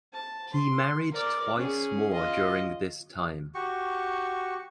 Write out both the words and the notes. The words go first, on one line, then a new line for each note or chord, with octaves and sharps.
He married twice more during this time.
A5
C6
A#4 D5
C#4 G#4
F4 D#5
F#4 G4 C#6